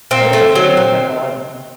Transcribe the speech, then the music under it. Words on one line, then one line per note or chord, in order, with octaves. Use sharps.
it was like really purple and
A#2 C4
A3
F#3
A#2